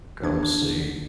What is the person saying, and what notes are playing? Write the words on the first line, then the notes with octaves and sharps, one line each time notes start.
come see
D4 G#6
D4
D3
D3